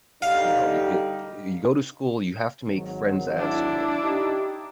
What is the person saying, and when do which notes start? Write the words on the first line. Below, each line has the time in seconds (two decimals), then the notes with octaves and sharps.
you know, it you go to school, you have to make friends at school.
0.22 D3 G3 D#4 F5
2.70 G#1 D#3 F#3
3.38 D4 E4
4.02 D#4 G4